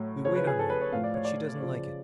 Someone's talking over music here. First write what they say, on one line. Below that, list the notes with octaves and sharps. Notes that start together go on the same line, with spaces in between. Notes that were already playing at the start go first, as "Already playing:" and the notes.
We wait on her, but she doesn't like it.
Already playing: A2 F#3
C#3 F3 C#5
B4
G#4
A4
B4
C#5
A2 F3 F5
D5
C#5
D5
C#3 F3